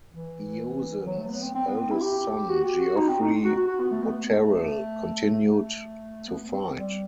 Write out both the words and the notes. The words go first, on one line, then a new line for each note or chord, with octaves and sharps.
Eozen's eldest son Geoffrey Boterel continued to fight.
E3
F#3
A3
B3
C4
C4
B3
C4
E4
G4
F#4
G4
F#4
D#4
C4
D#4
F#4
F#4
F#4
B3
A3
B3
A3
A3
B3
C4
G3